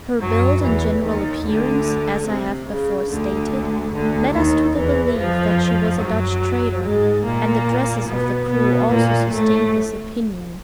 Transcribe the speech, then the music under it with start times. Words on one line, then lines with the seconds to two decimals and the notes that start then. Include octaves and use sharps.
Her build and general appearance, as I have before stated, led us to the belief that she was a Dutch trader, and the dresses of the crew also sustained this opinion.
0.20 F#2 F#3
0.61 E2 E3
1.03 D#2 D#3
1.44 D2 D3
2.27 C3
2.69 C#3
3.10 D2 D3
3.93 D2 D3
4.34 D#2 D#3
4.76 E2 E3
5.18 F2 F3
6.00 F#2 F#3
6.83 G#2 G#3
7.24 A#2 A#3
8.08 B2 B3
8.49 B2 B3
8.90 A#2 A#3
9.32 A2 A3